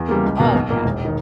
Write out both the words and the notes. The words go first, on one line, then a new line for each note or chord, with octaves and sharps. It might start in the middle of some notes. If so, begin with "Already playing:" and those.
Oh, yeah.
Already playing: E2
C#3 G3 A#3
C#2
B2 A#3
B1
A#2 A#3
E1
D#3